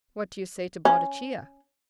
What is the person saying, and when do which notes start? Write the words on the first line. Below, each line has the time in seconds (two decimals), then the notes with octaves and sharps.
What do you say to Boadicea?
0.85 C#4